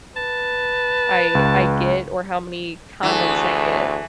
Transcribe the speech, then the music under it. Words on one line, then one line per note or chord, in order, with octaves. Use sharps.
I I get or how many comments I get.
B4 A5
C#2
D2 E3 A3 G#4